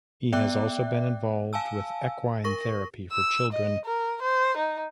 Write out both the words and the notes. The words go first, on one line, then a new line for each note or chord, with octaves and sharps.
He has also been involved with equine therapy for children.
B3 D5 E5 G5 D6 F#6
F5 G#5 A5 E6
A#4 C#6 A#6
E6
D#5
A#4
C5
D#4